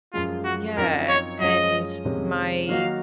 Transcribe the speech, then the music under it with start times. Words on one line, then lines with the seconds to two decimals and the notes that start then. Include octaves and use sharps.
m Yeah, and my
0.13 F#2 F3 G#3 F4
0.45 F#4
0.77 F#2 F3 C4 D#4 A#4
1.09 C#5
1.41 F#2 F3 G#3 C#4 D#5
2.05 F2 C3 D#3 G#3 C#4
2.69 D#3 F#3 A#3 D#4 F#4 F5